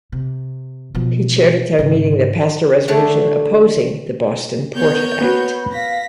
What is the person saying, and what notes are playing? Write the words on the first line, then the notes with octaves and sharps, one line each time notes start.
He chaired a town meeting that passed a resolution opposing the Boston Port Act.
C3
B2 F3
G#2 C#3
D3 A3 D4 C#5 A5
B3 A#4 C#5 G6
B3 F#4 B5
F5 A#6 B6